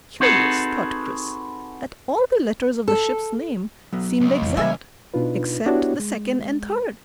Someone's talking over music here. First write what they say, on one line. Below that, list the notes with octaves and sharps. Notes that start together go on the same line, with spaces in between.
Curious, thought Chris, that all the letters of the ship's name seemed exact except the second and third.
C4 D#4 F#4 G#4 A4 B4
A4
F#3 B3
C#2
F2 E3
E3 G3 A#3 E5 G#5 B5
B2 D4 D#4 F4 B4
B3 D4 E4 F#4 G4 C#5
G#3